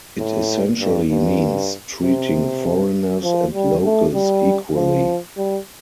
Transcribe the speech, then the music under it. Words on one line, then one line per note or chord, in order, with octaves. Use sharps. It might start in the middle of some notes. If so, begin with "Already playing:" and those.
It essentially means treating foreigners and locals equally.
A2
G2
G2
C3
F3
G3
A3
G3
F3
G3